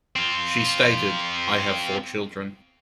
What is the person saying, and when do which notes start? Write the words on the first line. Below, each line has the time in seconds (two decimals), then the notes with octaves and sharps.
She stated, I have four children.
0.16 C4 F4